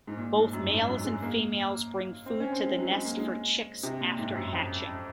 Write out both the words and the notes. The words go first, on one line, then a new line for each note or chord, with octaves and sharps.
Both males and females bring food to the nest for chicks after hatching.
G#2
A#2
G#2
F#2
G#2
F#3
G#3
A#3
C4
C#4
C4
G#3
F#3
G#3
A#3
G#3
C3
A#2
G#2
F#2
F2